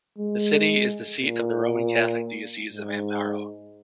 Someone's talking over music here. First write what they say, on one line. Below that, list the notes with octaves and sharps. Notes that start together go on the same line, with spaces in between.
The city is the seat of the Roman Catholic Diocese of Amparo.
G#3
A#2
G#2